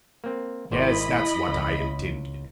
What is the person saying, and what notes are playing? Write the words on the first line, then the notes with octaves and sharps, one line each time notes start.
Yes, that's what I intended.
A#3 C4
G#1 E4 C5 D5 D#5 B5
C#2